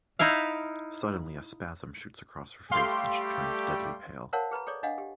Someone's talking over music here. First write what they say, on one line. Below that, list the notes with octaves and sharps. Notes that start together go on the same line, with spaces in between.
Suddenly a spasm shoots across her face and she turns deadly pale.
D#4 E4 E5 F5
G3 A3 G4 F5 C6
A#4 C5 C#5 F5 F#5 A5
G#4 B4 A#5 B5
G#4 A4 C#5 D5
D4 D#5 F5 F#5
G4